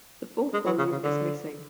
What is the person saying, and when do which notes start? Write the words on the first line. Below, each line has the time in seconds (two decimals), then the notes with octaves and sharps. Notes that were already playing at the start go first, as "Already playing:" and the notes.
The fourth volume is missing.
0.53 G#3
0.66 F#3
0.78 C#3
0.92 C#3
1.03 D3